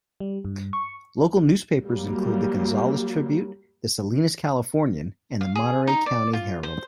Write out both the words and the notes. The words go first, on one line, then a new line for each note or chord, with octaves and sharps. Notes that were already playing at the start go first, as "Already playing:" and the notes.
Local newspapers include the "Gonzales Tribune", the "Salinas Californian" and the "Monterey County Herald".
G3
G2
C#6
F#3 G3 A#3
F5
G#4
D#4
D5
F4
C5